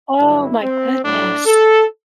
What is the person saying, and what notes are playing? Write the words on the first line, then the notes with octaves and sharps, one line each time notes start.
Oh, my goodness.
G2 D3 F#3 E4
C4
A2 F#3 A3 D4
A4